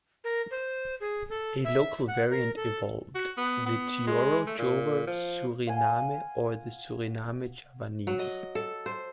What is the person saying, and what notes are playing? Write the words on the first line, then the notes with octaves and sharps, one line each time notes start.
A local variant evolved: the "Tyoro Jowo-Suriname" or "Suriname Javanese".
A#4
C5
G#4
A4
E5
F#5
A#4
A4
F#4
B3
B3
G#3
A3
A#2
F3
F5 F#5 G#5 C6
F#3
D#5
A4
C5